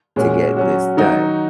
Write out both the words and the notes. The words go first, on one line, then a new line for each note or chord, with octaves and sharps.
to get this done,
A#2 G#3 C#4 F#4
F#3 C#4 F#4
D#3 F#3 D#4 F#4